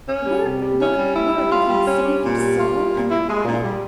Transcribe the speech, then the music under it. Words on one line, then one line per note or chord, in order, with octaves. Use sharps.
Work, work, work if you'd save your soul and your body.
C#4
G3
C3
G3
C#4
G3
E4
G3
F4
G3
C#4
G3
A#2
G3
F4
G3
A#2
E4
G#3
A#2
G3